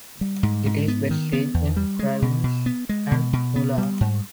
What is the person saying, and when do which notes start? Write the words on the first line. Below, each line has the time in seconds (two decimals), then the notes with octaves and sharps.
It is best seen in ravines and nullahs.
0.21 G3
0.43 G#2
0.66 G#2
0.88 B3
1.11 D#3
1.33 B3
1.54 E2
1.77 G3
1.99 G#3
2.22 B2
2.44 B2
2.66 B3
2.89 G#3
3.12 B2
3.33 B2
3.56 B3
3.78 G3
4.01 G#2